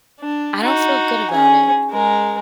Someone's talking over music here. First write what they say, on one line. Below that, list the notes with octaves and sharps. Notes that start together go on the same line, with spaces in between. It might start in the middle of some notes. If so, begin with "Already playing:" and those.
I don't feel good about it.
D4
D#4 F#4
C#4 G#4
G#3 A#4